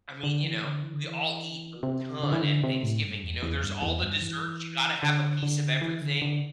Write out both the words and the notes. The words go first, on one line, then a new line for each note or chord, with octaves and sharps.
I mean, you know, we all eat a ton at Thanksgiving. You know, there's all the desserts. You gotta have a piece of everything.
D3
E3
D3
E3
D3
E3
C3
D3
E3
D3
C3
A2
G2
E2
E2
G2
E2
G2
E3
D3
D3
E3
D3
D3